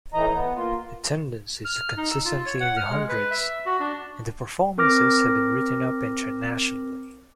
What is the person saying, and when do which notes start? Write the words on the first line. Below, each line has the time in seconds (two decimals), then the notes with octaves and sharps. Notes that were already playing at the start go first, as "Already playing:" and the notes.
Attendance is consistently in the hundreds, and the performances have been written up internationally.
0.14 A2 E3 D#4 D#5 A#5
0.33 B3
0.56 A#3 F4
1.65 F6
1.97 D#4
2.11 E6
2.25 F4
2.46 C#5
2.60 F#5
2.77 F6
2.89 G#3
3.09 B4
3.31 E5
3.66 F#4
3.80 D4
4.78 C4 A#4 D6 F6 A#6